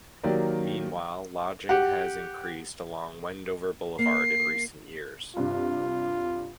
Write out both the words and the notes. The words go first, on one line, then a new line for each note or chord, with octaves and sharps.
Meanwhile, lodging has increased along Wendover Boulevard in recent years.
D#3 F#3 A#3 G4 A#4 D5
G4 F#5
A#3 C7
G2 C3 F4